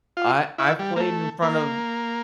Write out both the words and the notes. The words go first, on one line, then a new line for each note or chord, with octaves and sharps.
I I've played in front of,
F4
E4
G3
A#3
A3
A#3